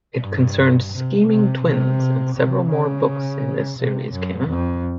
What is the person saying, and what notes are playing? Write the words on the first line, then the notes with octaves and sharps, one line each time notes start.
It concerned scheming twins and several more books in this series came out.
G2
C3
C3
C3
C3
C#3
C3
F#2
F2